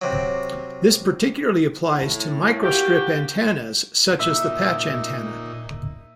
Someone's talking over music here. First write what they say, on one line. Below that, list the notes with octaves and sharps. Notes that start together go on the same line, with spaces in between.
This particularly applies to microstrip antennas such as the patch antenna.
C3 F#3
A2
A#3 F#4 G4
A#2 D#4 E5